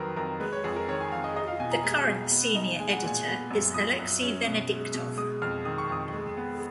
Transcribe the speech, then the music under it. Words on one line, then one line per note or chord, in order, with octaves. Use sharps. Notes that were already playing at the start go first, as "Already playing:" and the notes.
The current senior editor is Alexey Venediktov.
Already playing: F2 D#3 F#3 A#4 B4
F2 A#4
G#3 B4
C#5
F2 G#4
A#4
D#3 C#5
G#5
F2 F5
D#5
D#4 D#5
F5
B2 G#5
A#5
G#3 G#5
B2
B3
D#4
G#3 G#5
F#5
A#2 G#5
B3
F#2
F3 D#6
F#2
C#4
B2
G#3
B2
G#3 D#6
F2 F6
D#3 D#6
C#6
F2 D#6
G#3
B3